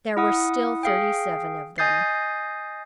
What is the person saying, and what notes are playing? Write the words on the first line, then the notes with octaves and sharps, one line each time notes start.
There were still thirty-seven of them.
E4 F#5 D#6
G#4 F5 G5
D#5 G#5 D#6 G6 A6 C7